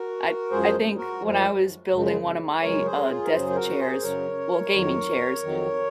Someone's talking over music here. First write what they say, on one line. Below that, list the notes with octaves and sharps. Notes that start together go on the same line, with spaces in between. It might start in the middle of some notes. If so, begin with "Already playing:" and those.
I I think when I was building one of my, uh, desk chairs well, gaming chairs,
Already playing: F#4 A#4
F#2 F3 G#3 G#4 C5
F#4 A#4
F#2 F3 G#3
F#2 C#3 G#3
F#2 C#3 G#3 A#4 C#5
G#4 C5
A#4
F4 G#4
A#4
F#2 C#3 F#3 G#4 C5
C5
F#4 A#4
G#4 C5
F#2 C#3 F#3 A#4 C#5
F2 D#3 F#3
F2 D#3 F#3